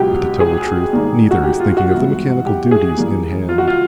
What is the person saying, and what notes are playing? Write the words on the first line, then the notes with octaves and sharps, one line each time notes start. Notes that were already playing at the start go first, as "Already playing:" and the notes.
But to tell the truth, neither is thinking of the mechanical duties in hand.
Already playing: C#2 B2 F#3 G4
G#4
G#2 D#3 G3 A#3 D4
F#4
G4
F4
F#4
G2 E3 G#3 B3 E4
G4
G#4
G2 E3 G3 A#3
F4
F#4
F4